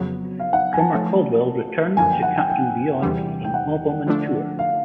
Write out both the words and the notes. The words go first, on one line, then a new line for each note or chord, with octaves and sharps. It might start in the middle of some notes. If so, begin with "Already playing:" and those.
Drummer Caldwell returned to Captain Beyond for an album and tour.
Already playing: F2 C#3 F#3 B3
F5
F#5
G#5
A5
F3 A3 C#4
F#2 D3 F3 A#3 G#5
G5
F#5
G5
G5
E2 C3 E3 G3
G5
F#5
D3 F3 A3 D4
F5